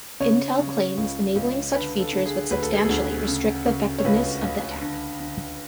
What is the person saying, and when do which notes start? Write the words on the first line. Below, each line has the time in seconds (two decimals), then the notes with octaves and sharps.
Intel claims enabling such features would substantially restrict the effectiveness of the attack.
0.20 C#3 C#5
0.59 C#3
0.97 C#2
1.35 C#2
1.74 D3 B4
2.00 A4
2.13 D3
2.26 G#4
2.51 D2 B4
2.63 A4
2.74 G#4
2.85 D2 A4
3.28 C#3
3.66 C#3
3.98 C#5
4.05 C#2 B4
4.43 C#2
4.82 D3
5.20 D3